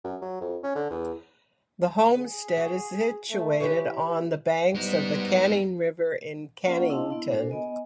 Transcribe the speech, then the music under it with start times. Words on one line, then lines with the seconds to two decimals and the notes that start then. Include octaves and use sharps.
The homestead is situated on the banks of the Canning River in Cannington.
0.04 F#2
0.22 F#3
0.41 F2
0.63 C#4
0.75 D3
0.91 E2
2.20 G#4
2.57 F#4
3.31 A3
3.60 E3 G4 B4 C#5
4.75 G3 G#3 B3 D#4
6.65 A#3 C#4 F4 A#4 D5 F#5
6.90 D4 E4 D#5 F5 A5 C6
7.10 B3 E4
7.31 D4 F#4 A4 A#4 C5
7.50 B3 D#5 G#5